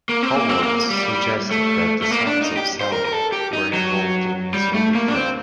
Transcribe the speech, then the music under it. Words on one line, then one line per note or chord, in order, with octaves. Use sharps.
Howorth suggested that the sons of Selim were involved in his overthrow.
A#3
C4
A#3
C4
A#3
G3
A3
A3
A#3
D4
D#4
G4
C5
A#4
A#4
A4
G4
D#4
F#3
G3
A3
A#3
D4
C4